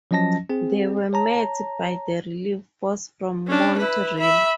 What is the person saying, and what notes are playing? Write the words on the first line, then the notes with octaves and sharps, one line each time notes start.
They were met by the relief force from Montreal.
F3 F#3 C#4 D#5 A5 A#6
C4 G#4
C#5 A5 A#5
C#4 D4
E4 B4
E5 B5